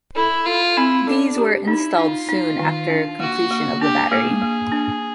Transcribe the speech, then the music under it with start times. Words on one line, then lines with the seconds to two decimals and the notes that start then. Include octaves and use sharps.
These were installed soon after completion of the battery.
0.16 E4 A4
0.46 F4 A4
0.77 C4 E4
1.07 D4 A4
1.38 G4
1.68 D#4 E4
1.98 D#4 F4
2.29 D#4
2.59 D#3
2.90 D4
3.20 A#3 F#4
3.51 A#3
3.81 D4 G4
4.11 A#3 G#4
4.42 A#3
4.72 D4